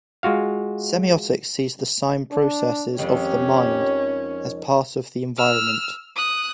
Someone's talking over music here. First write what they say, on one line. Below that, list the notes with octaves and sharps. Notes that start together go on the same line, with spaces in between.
Semiotics sees the sign processes of the mind as part of the environment.
G#3 F4 F#4 F5
D4
F2 D#3 G#3 C#4 G4
E6 F6
D#6 F#6